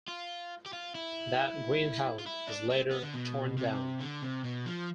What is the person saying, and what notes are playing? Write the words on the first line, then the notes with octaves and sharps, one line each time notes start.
That greenhouse was later torn down.
F4
G4
F4
E4
F4
E4
D4
C4
B3
D3
B2
C3
D3
C3
B2
F3